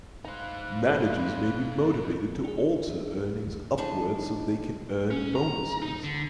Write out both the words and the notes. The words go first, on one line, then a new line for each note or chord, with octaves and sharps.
Managers may be motivated to alter earnings upward so they can earn bonuses.
D#4 C5 F5 B5 F#6
D4 G#4
D#3 E3 D4 D#4 D#5 A5
C#4
A#5
D#4
D3